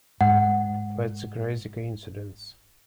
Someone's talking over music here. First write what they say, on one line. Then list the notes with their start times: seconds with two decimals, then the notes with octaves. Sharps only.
That's a crazy coincidence!
0.21 G#2 F#5